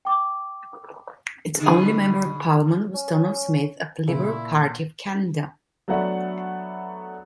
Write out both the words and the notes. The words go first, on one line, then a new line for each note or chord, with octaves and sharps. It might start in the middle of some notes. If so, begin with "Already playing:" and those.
Its only Member of Parliament was Donald Smith of the Liberal Party of Canada.
G5 D6
B2 D3 G#4
C#4
A#2 C#3 E4
F#3 A3 B3 D4 F#5